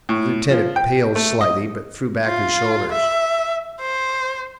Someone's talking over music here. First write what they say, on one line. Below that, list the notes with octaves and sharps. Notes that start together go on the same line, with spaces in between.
The lieutenant paled slightly, but threw back his shoulders.
A2
F3
G5
A3
D#5
F4
E5
C5